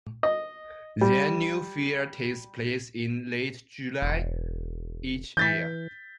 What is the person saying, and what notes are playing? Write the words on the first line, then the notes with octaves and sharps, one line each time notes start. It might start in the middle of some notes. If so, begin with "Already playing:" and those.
The Annual fair takes place in late July each year.
D#5
G3
E1
E3 G6 A6 B6